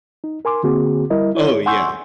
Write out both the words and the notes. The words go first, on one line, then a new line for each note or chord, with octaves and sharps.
Oh, yeah.
D#4
A#4 G#5 C6 D6
D3 A#3 C4 F#4 G#4
G3 E4 A#4 D#5
E4 C#5
F#5 G#5 C6 C#6 E6 G6